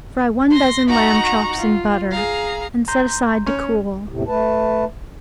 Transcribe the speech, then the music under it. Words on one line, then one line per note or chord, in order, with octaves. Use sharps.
Fry one dozen lamb chops in butter and set aside to cool.
C6 A#6
D#4 F#4 F#5 A#5 C#6
F4
G#4 F5 A#5
A#5 C6 G6
C#4
E2 A2 C3
A3 B4 A5